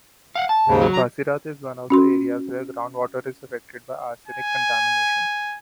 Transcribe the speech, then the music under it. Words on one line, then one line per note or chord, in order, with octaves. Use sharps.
Basirhat is one of the areas where ground water is affected by arsenic contamination.
F5 F#5
A5
D#2 G#2 C#3
F#3
A#5
C#4 F#4 C6
G#5